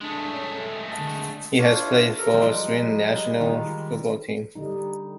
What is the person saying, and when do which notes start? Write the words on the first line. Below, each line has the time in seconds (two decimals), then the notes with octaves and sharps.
He has played for the Sweden national football team.
0.01 G#3 A3 D4
0.33 C#4
0.54 A4
0.82 A#6
0.98 D3
1.59 D4 F4 C#5
1.83 E3
2.18 C3 A4 A#4 A#5
2.34 F3 G3 G#3 D#4 D5
3.40 D#3 F4
4.55 D3 G3 D#4